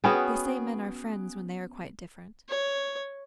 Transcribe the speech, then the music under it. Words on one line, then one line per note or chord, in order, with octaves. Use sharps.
They say men are friends when they are quite different.
B3 C#4 F#4 G#4 B4 G5
C#5